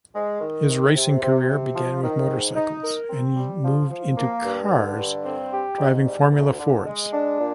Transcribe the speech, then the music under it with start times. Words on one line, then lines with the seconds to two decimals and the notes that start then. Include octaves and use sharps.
His racing career began with motorcycles and he moved into cars driving Formula Fords.
0.15 G#3
0.41 D#3
0.69 C3
0.95 C3
1.23 C3
1.49 C3
1.75 F3
2.03 D#3
2.29 G#2
2.56 D#4
2.83 A#4
3.10 C4
3.36 G3
3.63 F3
3.90 F3
4.17 A#3
4.45 G2
4.71 D3
4.97 G2
5.24 C4
5.52 G4
5.78 G#2
6.05 G3
6.31 D2
6.59 D3
6.86 G#3
7.13 D4
7.39 A#2